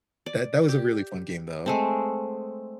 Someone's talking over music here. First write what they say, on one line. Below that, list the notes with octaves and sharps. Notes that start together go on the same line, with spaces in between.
that that was a really fun game, though.
D5
G4
G#3 A3 C4